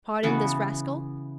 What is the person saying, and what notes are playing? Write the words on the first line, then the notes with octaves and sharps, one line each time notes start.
"Pardon this rascal?"
C#3 E3 B3 F#4